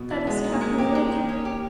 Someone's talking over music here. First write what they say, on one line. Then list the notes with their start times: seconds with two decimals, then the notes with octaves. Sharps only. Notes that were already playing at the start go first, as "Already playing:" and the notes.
That is blackmailing.
Already playing: B2
0.10 E3
0.27 G#3 B3
0.44 D#4
0.52 A#3
0.61 G#3
0.78 A#3 G4
0.95 G#3
1.12 D#3
1.29 C#4
1.45 G4